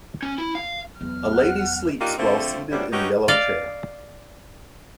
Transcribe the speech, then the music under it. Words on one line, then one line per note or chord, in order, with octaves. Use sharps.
A lady sleeps while seated in a yellow chair.
C#4
E4
F5
E2 F#3 F6
F#5 F#6
A#3 D4 D#4 F4 G4
D3 F3 A3 C4
G2 C3 F#3 G3 D4
C#4 D#4 F#4 G4 B4
D5 D#5 F5